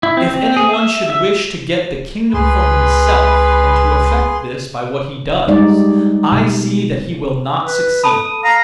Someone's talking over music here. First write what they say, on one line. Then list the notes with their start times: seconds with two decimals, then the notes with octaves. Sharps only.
If any one should wish to get the kingdom for himself, and to effect this by what he does, I see that he will not succeed.
0.03 E4
0.17 C4
0.34 C4
0.56 G#4
0.73 E5
1.10 E5
2.34 C#2 G#4 B4 C6
5.48 G3 G#3 D#4 D5
6.32 B2
7.66 B4
8.04 A4 A5 B5 D#6
8.44 F5 A#5